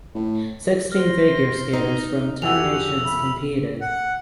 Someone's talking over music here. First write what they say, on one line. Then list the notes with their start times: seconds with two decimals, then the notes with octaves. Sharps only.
Sixteen figure skaters from ten nations competed.
0.15 A2
0.92 C5 F6 A#6
1.73 D#4
2.42 F2 F#4 G4 F#5 G#5 E6 F7
3.05 E5 B5
3.81 F#5